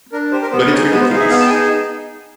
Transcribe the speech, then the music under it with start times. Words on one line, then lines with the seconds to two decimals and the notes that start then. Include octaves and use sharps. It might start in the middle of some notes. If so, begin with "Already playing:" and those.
But it's ridiculous!
0.12 D4 A#4
0.32 G4 C5
0.42 A#4
0.51 B3 C5
0.71 D#4 G#4 C#5
0.90 B3 B4
1.00 C5
1.11 D#4 F5
1.13 G#4
1.20 E5
1.30 B3 F5
1.40 A5
1.45 G5
1.49 D#4 G#4 G#5